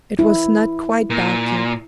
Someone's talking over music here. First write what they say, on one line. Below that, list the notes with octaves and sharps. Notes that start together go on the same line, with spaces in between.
It was not quite dark yet.
E4
A#2